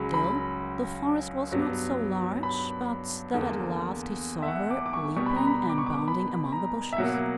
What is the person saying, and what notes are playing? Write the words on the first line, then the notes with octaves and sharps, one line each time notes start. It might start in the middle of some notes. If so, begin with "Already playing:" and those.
Still, the forest was not so large, but that at last he saw her, leaping and bounding among the bushes.
Already playing: C#2 C#3 F#3 B5
B5
G2 F#3 B3
B5
E2 D3 A#3
E5
F#5
D6
D6
C#6
B2 G3 B3 C#6
B5
A#5
B5
D6
C#6
D6
B5
A#5
E5
B2 F#3 A#3 F#5